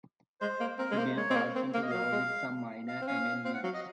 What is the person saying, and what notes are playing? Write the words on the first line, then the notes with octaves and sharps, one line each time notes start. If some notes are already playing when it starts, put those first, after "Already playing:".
The Bill passed into law with some minor amendments.
G#3 C5
A#3
C4 A#4
G#3
A#3 C5
G#3 C#5
C4
A#3
C4
A#3 F5
D#5
F#3 F5
G#3
F5
C4
C#4 F5
C4 F5
F#5
F#3 F5
D#5